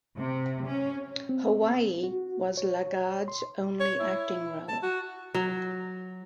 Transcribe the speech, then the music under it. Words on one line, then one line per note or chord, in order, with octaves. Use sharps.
"Hawaii" was LaGarde's only acting role.
C3
C#4
C4
F#4
C#5
C6
C#5
E4
A5
F#4
F#3